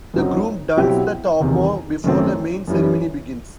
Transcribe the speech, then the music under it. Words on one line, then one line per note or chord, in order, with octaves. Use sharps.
The groom dons the topor before the main ceremony begins.
F#2 F#3 C4 D#4
B2 F#3 C4 E4 G4
E2 C3 D#3
F#2 D#3 A3 C4
F#2 E3 G3